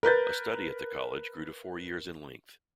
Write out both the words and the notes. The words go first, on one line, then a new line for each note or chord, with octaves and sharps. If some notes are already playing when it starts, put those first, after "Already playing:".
A study at the college grew to four years in length.
A#4 B4 G6 A6